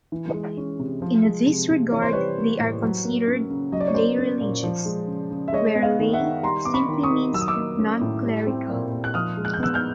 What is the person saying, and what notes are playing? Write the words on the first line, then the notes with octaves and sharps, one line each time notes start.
In this regard they are considered "lay religious," where "lay" simply means "non-clerical".
E3
G#3
C#4
C3
F3
G#3
C3
C3
E3 C#5
C5
G3 B4 C#5
A#3
A2
F#3
A#3
C#4
C#3
F#3 D#5
D5
C#5
A#3 C5 D5
C#4
A#2
F3
G#3
C#3
C#3
E5
G#3 C#5 D#5
B3
D#5 F5
D#3
E5 F#5
D#3
G3 A#5 C6
B3 D6
B5 C#6
D#3
C#6 D#6
D#3
F#3 E6
D#6
D6 E6
A#3
C#4
A2
G3
C4
A#2
A#2
F#6
F3 D#6 F6
G#3
F#6
G6
B3 E6 F#6
F6 G6